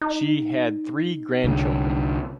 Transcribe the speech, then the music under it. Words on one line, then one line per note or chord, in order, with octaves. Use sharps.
She had three grandchildren.
D#4
C2 D3